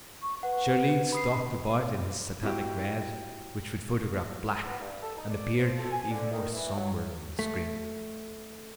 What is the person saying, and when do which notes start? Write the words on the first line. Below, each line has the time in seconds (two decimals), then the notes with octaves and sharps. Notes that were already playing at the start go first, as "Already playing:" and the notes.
Shirley stalked about in his satanic red, which would photograph black and appear even more somber on the screen.
0.22 C#6
0.43 B4 F#5
1.12 B5 D#6 C7
2.43 E4 F#4 G4
4.67 B3
4.79 G2
5.02 A4
5.16 D#4
5.30 D5
5.56 F3
5.78 A4
5.91 G#5
6.10 D3
6.31 D#3
6.53 E3
6.76 F#3
7.39 A3